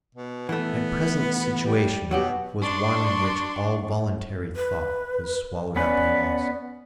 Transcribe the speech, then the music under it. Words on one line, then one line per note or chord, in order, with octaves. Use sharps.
My present situation was one in which all voluntary thought was swallowed up and lost.
B2
E3 A3 B3
G3
B2 F#3 F#4 G4
D4 C6 C#6
B4
B3 C#4 B4 D5